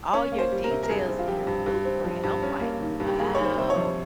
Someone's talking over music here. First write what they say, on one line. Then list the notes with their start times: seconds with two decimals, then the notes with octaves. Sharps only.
All your details of your blueprint. I'm like, "Wow."
0.13 C#4 C#5
0.32 A#3
0.39 C5
0.52 G3
0.64 A#4
0.70 C3
0.83 A#4
0.89 G2 G#4
1.09 C4
1.19 F4
1.28 F3 G4
1.47 G2
1.66 G2
1.85 C4
2.04 F3
2.23 G2
2.42 C#4
2.61 A#3
2.81 D#3
3.00 G2
3.07 G4
3.19 A#3 G#4
3.35 D#3 C#5
3.44 C5
3.57 C3 C5
3.70 C#5
3.76 F2